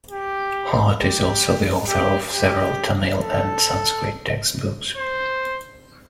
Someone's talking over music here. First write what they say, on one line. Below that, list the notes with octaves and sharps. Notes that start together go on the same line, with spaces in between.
Hart is also the author of several Tamil and Sanskrit textbooks.
G4
G4
G4
G4
A4
C5